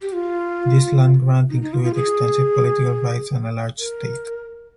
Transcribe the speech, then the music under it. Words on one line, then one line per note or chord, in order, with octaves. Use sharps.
This land grant included extensive political rights and a large estate.
G4
F4
D#4
D#4
F4
F4
G#4
A#4